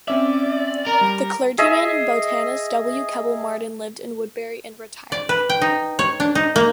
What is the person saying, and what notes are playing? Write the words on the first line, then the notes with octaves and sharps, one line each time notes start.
The clergyman and botanist W. Keble Martin lived in Woodbury in retirement.
C4 C#4 D5 E5
A#4
G3
G#4 D#5 E5
D5
B4
G5
D#4
C#5
D4
D#4
A#3